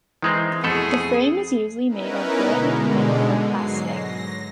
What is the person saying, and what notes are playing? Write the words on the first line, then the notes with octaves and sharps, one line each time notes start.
The frame is usually made of wood, metal or plastic.
D#3 E3 G#3 C4
F2 B2 A3 G#4 A4 C6 C#7
B3 C#4 D#4 E4 A#4 B4
B2 D3 G#3
G#2 F#3 C7
A#6